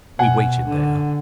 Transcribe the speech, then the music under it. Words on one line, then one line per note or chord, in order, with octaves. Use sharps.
We waited there.
B2 F#5 G#5
D3